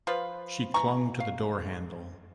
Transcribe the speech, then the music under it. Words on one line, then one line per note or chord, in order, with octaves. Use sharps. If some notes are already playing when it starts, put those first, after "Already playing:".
She clung to the door-handle.
F3 F4 B4
E3 A#5 C#6
F5